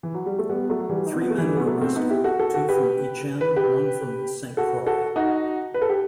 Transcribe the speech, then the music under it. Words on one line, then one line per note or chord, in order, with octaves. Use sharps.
Three men were rescued, two from "Itchen", one from "Saint Croix".
E3
F#3
G3
A3
G3 B3
F#3 A3
F#3
E3 G3
D#4
C4
B3
A3
E3 G3
B3
F#3 A3
A3 C4
B3 D#4
E4 G4
F#4 A4
F#4 A4
F#4 A4
G4 B4
B4
G4 B4
F#4 A4
F#4 A4
D#4 F#4
B4
A4
G4